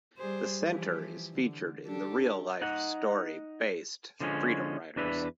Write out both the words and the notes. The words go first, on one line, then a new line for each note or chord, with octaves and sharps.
The center is featured in the real-life-story-based Freedom Writers.
G3 G#4 C5
E3 F3 G4
D3
D4 G4 A4
D#4 F#5
D3 F3 G#3 C4 C#4
E2 D4 B4 E5